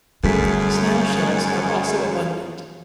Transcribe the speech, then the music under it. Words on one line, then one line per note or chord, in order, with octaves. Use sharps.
Snail shells are also abundant.
G1 F#2 G3 A3 G#4 B6